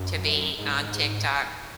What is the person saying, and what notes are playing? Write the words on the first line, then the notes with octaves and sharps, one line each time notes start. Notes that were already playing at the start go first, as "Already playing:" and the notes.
to be on TikTok.
Already playing: F#2
G#2